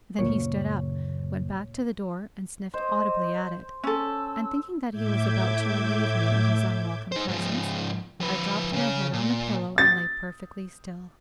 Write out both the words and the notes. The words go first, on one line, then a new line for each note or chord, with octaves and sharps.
Then he stood up, went back to the door and sniffed audibly at it; and thinking that he was about to relieve me of his unwelcome presence, I dropped my head on the pillow and lay perfectly still.
F#1 D2 A#2 C#3 C#5
C5 D#5
C#4 A4 E6
A2 E5 D6 G6 G#6
D#4 C5
G#2 F3
F3 B4
C#3 C#4
A#2
A6